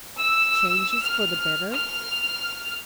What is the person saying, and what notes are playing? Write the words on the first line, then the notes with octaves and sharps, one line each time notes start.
"Changes for the better?"
E6
F6
F6